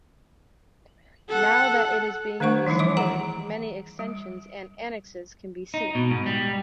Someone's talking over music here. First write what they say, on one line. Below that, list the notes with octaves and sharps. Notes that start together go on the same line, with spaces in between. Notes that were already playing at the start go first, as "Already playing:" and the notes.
Now that it is being restored, many extensions and annexes can be seen.
A4 F#5
D#3 A3 D4 C5 F#5 C#6
E3 F3 G3 D#4 E4
E3 G3 D6
G#4 F#5 A#5
G3
D#4
B2
G#2
G3